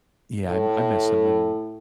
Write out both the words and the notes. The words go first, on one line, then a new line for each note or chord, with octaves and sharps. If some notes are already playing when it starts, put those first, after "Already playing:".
Yeah, I I miss him and
A2